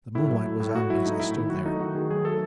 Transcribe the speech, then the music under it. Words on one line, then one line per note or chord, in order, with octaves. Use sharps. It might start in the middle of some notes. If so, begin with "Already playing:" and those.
The moonlight was on me as I stood there.
A2 E4
F#3
A3
A2
A2 F#4
F#3 E4
A3 D#4
A2 E4
D#3 E4
F#3 F#4
A3 D#4
D#3 F#4
D#3 G#4
F#3 G#4
A3 A4